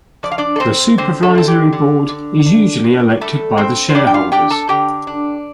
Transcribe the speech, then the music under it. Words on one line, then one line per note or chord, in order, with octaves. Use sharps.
The Supervisory board is usually elected by the Shareholders.
F3 D5
F5
D4 D5
A4
F2 C4 C5
D3 C4 C5
A3 A4
C4 A4
G4
D3
D3
D4
G2
G3 A3 A4
G2 C4 C5
C5
G3 D4 D5
G5
F4 F5
D4 G4 G5
A4 A5
D3 G4 G5
D4